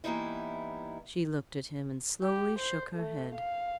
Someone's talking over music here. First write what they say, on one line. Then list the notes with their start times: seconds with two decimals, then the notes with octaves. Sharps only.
She looked at him, and slowly shook her head.
0.04 E3 G3 A#3 B3 D#4 E4
2.22 G4
2.59 C5
2.95 A3
3.34 F5